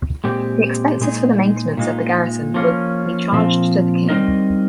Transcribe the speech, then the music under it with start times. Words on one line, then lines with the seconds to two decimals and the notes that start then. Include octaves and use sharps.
The expenses for the maintenance of the garrison were be charged to the King.
0.24 A#2 G#3 C4 G4
1.01 A#2 G#3 D#4 G#4
1.77 A#2 G#3 D#4
2.54 F3 A#3 C#4
3.32 A#2 F3 C4
4.09 G3 C4 D#4 A#4 D#5